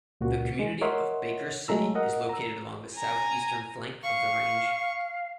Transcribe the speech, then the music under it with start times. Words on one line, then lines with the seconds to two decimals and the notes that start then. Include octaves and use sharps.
The community of Baker City is located along the south-eastern flank of the range.
0.21 C#2 A#2 F#4
0.59 G#3
0.81 A#4 C#5 D#5 E5 F#5 C6
1.68 F#3 G#3 A3 A#5 E6
1.95 A#4 D#5 F#5
2.29 A#5 E6
2.95 G#5 A#5
4.03 F5 C#6